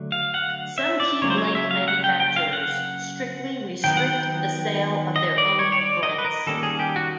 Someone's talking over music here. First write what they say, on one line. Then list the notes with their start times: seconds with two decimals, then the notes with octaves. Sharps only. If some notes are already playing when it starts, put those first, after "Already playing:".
Some key blank manufacturers strictly restrict the sale of their own blanks.
Already playing: D3 F#3 A3
0.12 F5
0.34 F#5
0.78 E5
1.00 D5
1.22 C#3 F#3 A#3 C#5
1.30 C5
1.38 C#5
1.55 E5
1.71 F5
1.88 F#5
2.04 G5
2.20 G5
2.36 F5
2.53 F#5
3.84 D#3 F#3 B3 G5
3.97 F#5
4.10 G5
5.16 D#5
5.38 D5
5.59 C#5
5.72 C#5
5.81 D5
6.03 D#5
6.18 B4
6.25 A#4
6.46 D#3 G3 A#3 C#4 A4
6.63 G#4
6.79 G4
6.96 F#4